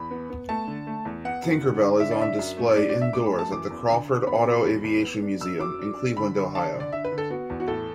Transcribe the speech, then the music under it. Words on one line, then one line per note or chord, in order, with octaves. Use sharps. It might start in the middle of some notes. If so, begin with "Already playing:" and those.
"Tinkerbelle" is on display indoors at the Crawford Auto-Aviation Museum in Cleveland, Ohio.
Already playing: E2 B5
B3
B3
A3 A5
D3
A3
E2
B3 F#5
F#2
D3
D4
D3 E5
D5
D4 E5
F#2
A3
D4 D5
D5
D4
E5
A3 D6
B5
F#2
A5
E3 D6
E2
D3
D4
B3 B5
F#3
E2
E2
B3
D4
F#2 E6
F#3 D6
D4
D4
D3 B5
D3
D4 A5
D3
D5
D3 E5
B4
D3
A4
B3 F#4
E2
F#4
A2 A4